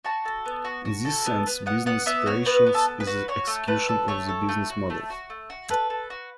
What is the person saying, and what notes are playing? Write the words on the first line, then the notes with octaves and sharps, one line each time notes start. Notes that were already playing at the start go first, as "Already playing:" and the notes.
In this sense, business operations is the execution of the business model.
F#4 A5
A4
B3
F#4
F#4
A4
B3
B3
B3 F#5
B3 F#5
B3 E5
F#4 C#5
B3 B4
B3
A4
A4
B4
F#4
F#4 C#5
A3
A3 B4
A4
A3 C#5
A4
A3
F#4
A3
F#4
A3
F#4
A4 B4
A4
F#4